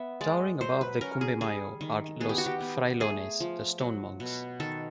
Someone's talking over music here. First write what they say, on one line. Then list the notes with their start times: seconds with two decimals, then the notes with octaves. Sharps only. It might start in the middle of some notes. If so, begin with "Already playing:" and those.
Towering above the Cumbe Mayo, are Los Frailones, the Stone Monks.
Already playing: B3 E5
0.21 G#3 D5
0.61 F#3 C5
0.81 B4
1.01 C#4 A#4
1.21 G#4
1.41 G3 G#4
1.81 D#3
2.20 B3 G#4
2.29 G4
2.38 F#4
2.46 G4
2.60 B3
3.00 A3 G#4
3.40 F3
3.80 F#3
4.20 B2
4.60 D#3 A4